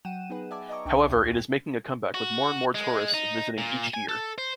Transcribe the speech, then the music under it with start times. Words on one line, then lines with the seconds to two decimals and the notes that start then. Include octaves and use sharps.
However, it is making a comeback with more and more tourists visiting each year.
0.05 F#3 F#5 G5 D#7 E7
0.30 B3 D#4 G#4 B4 F#5
0.51 D5 E5 G#5 A5 D6
0.69 D#5 E5 G#5 A#5 C#6 D6
0.85 C2 D4 G5 C#6
1.08 D#2
2.15 F#4
2.75 G#3
3.14 D#4
3.58 A#2
3.94 G#5
4.09 A4
4.38 C5